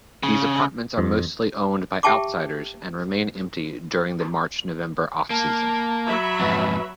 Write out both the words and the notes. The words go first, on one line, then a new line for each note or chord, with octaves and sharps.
These apartments are mostly owned by outsiders and remain empty during the March-November off-season.
C#3
F2
G4 E5 G5 A5 C#6 D6
A#3 A5
F#3 E5 B5
F2 G#2 B4